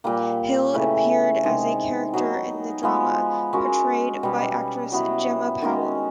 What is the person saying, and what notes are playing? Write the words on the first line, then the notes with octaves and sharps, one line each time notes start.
Hill appeared as a character in the drama, portrayed by actress Jemma Powell.
A#2 G3 A#3
C#3 E3 A3
C3 D#3 G#3
F#3 B3 D#4
F3 G#3 B3
G#3 C#4 F#4 A#4
B2 G3 B3
F#3 B3 E4
D#3 G#3 C#4 F#4